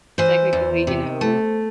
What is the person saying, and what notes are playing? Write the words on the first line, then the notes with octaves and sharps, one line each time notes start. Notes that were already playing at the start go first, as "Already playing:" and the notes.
technically, you know,
E3 C5
E2
C3
A3